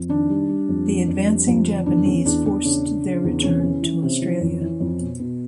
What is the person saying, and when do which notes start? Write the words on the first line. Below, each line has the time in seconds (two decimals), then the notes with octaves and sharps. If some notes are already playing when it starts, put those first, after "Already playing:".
The advancing Japanese forced their return to Australia.
Already playing: F2
0.09 D#3 D4
0.29 G3
0.49 G3
0.69 F2
0.88 F2
1.08 F2
1.28 G3
1.47 F2
1.67 D3
1.86 E2 D4
2.05 E2 C#4
2.25 E2 D4
2.45 E2 D4
2.64 C#3 D4
2.84 C#3
3.04 C#3
3.24 E2
3.43 C3 C#4
3.63 E3
3.83 E3
4.03 C3
4.21 E3
4.41 F2
4.61 E3
4.80 F2
4.99 B2
5.20 B2